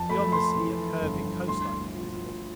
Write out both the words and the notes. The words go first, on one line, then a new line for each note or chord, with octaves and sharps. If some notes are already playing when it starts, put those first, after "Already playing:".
Beyond the sea, a curving coastline was visible.
Already playing: F2 A5
A3 B5
C6
E3
G1
D2 C6
F3